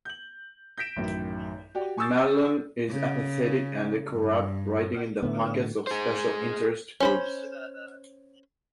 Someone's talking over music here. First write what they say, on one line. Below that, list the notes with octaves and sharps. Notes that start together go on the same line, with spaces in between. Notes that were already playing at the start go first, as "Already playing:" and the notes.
Marlon is apathetic and corrupt, riding in the pockets of special interest groups.
G6 F#7
G6 A#6 B6 D7 E7
A1 F#2 D#3
F#4 G4 D5
G#5 C#6 D#6 E6 G6 A6
C#3
G2
A2 D3 B3
G#4 C5
C#4 C5 B5